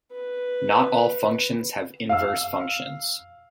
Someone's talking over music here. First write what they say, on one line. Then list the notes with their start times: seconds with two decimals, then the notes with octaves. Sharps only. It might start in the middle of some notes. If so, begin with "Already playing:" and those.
Not all functions have inverse functions.
0.12 B4
2.09 F5 E6